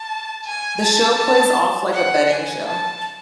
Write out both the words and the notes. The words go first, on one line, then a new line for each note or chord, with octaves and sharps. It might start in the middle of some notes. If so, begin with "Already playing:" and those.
The show plays off like a betting show.
Already playing: A5
G#5
A5
A5
F#5
G#5
A5